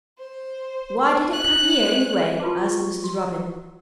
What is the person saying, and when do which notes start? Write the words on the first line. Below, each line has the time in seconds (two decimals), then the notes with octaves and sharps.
"Why did it come here, any way?" asked Mrs. Robin.
0.19 C5
1.29 C#4 F#6
2.40 F4 F#4 B4 C5 A5 D6
2.63 F#4 C#6
3.04 F#4